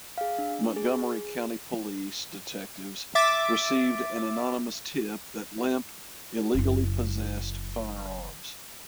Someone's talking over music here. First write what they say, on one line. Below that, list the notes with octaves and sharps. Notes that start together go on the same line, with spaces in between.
Montgomery County Police detectives received an anonymous tip that Lemp illegally possessed firearms.
G#4 F5
D4
G#4
E5 D6 A6
F#1 E4